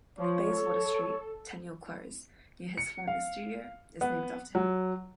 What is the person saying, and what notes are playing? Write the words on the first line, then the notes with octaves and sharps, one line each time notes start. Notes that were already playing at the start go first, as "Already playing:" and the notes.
A Bayswater street, Tenniel Close, near his former studio, is named after him.
F3 C#5
A4
C#7
F5
B3
F#3